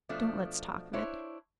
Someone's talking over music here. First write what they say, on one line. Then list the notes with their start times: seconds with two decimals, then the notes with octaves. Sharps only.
Don't let's talk of it.
0.09 B2 F3 A3 D4
0.93 D4 E4 C5 C#5